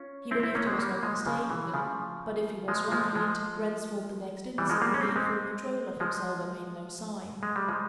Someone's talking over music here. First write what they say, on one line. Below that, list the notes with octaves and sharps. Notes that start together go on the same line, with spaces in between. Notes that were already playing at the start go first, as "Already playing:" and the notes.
He believed he was not mistaken--but if he was right, Ransford the next instant regained full control of himself and made no sign.
Already playing: C#4 F4
C4 E4
C4 E4
A#3 C#4
G#3 C4
G3 A#3
F3 G#3
C#3 F3
E3
C#3 F3
F3 G#3
F3 G#3
F3 G#3
E3 G3
F3 G#3
G3 A#3
C#4
C4
A#3
G#3 C4
F3 G#3
G#3
G3
F3 G#3